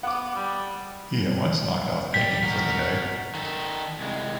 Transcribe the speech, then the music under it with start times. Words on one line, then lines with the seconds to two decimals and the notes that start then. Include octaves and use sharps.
He at once knocked off painting for the day.
0.03 B3 F#5 D6
0.35 G3
2.14 G3 B6
2.43 F#4 A#4
3.35 D#3 A4
4.00 C2 G#3